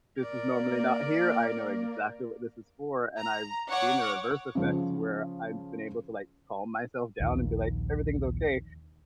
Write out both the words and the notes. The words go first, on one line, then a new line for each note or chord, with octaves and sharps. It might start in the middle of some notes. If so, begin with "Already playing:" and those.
"This is normally not here, I know exactly what this is for," and I've seen the reverse effects where I've been able to like calm myself down and be like, "Everything's okay,"
A#4 D5
A#3
A#5
C#5 F#5 C#6 D6
C#3 F3
A#1 D#2